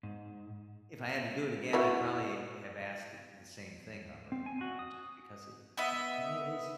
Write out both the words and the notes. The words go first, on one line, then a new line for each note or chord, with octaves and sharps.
if I had to do it again, I'd probably have asked the same thing of her, uh, just because it t to me, it is
G#2
E4 F#4 B4
C4
G#5
F#4
D#6
B3 D#5 E5